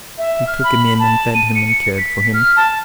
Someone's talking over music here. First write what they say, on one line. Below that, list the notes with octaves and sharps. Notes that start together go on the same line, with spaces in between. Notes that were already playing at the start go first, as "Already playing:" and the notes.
We took him in and fed him and cared for him.
E5
F6
B5
A5
D#7
C#7
B6
F6
A5